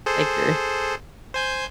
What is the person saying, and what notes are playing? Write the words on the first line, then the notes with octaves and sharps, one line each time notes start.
like you're
G#4 A4 C5
C5 G#5 G6